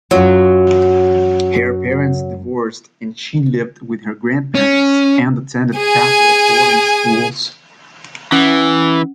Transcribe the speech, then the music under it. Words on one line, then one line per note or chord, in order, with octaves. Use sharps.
Her parents divorced and she lived with her grandparents and attended Catholic boarding schools.
F#2 F#3 C#4 F4
C#4
G#4 G#5
E3 C#4